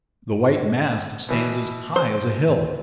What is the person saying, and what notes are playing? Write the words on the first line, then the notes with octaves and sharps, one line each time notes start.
"The white mast stands as high as a hill."
B2 E3
C5